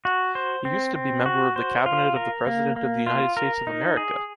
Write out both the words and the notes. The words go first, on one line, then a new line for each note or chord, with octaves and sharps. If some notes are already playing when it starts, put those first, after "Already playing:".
He used to be member of the Cabinet of the President of the United States of America.
F#4
C5
C4
C4
F#4
C5
F4
A#4
A#3
A#3
F4
A#4
D#4
G#4